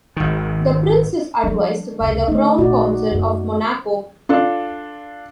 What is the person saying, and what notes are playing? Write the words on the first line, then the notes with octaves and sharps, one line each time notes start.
The prince is advised by the Crown Council of Monaco.
G#1 D#3
F3 G3 D4
F1 C#2
D3 A3 D#4
A#1 A#2 F#4 D5
F#2 C#4
D4 F4 A4